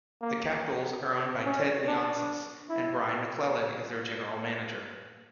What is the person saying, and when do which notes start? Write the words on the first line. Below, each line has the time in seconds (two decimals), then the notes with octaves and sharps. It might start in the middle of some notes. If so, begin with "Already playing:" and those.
The Capitals are owned by Ted Leonsis, and Brian McClellan is their general manager.
0.21 A#3
1.45 C#4
1.87 D4
2.69 E4